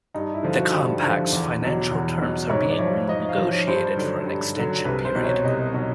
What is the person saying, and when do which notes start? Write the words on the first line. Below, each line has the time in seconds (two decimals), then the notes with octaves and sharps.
The Compact's financial terms are being renegotiated for an extension period.
0.14 G2 D#4
0.34 E4
0.43 D3 F3
0.53 F#4
0.72 G2 G4
1.02 D3 F3
1.32 E2
1.62 B2 F#3
1.91 E2
2.21 B2 F#3
2.50 G#2 C#5
2.70 D5
2.79 F3 C#5
3.08 G#2 D#5
3.29 F5
3.37 F3
3.47 C#5
3.67 G2 C5
3.97 D3 F#3
4.26 G2
4.56 D3 F#3
4.85 C2 B4
5.05 C5
5.15 B2 F#3
5.24 C#5
5.44 C2 D#5
5.74 B2 F#3